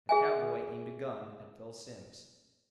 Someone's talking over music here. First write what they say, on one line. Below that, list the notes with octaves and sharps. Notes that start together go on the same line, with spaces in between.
A cowboy aimed a gun at Phil Simms.
G#4 E5 G#5